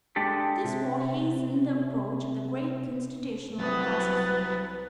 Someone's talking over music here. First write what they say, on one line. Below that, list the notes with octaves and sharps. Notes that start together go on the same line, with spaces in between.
This war hastened the approach of the great constitutional crisis.
G#3 D4 G4 A4
C3
C2 F#3 C4 B4 F#5 D#6 A6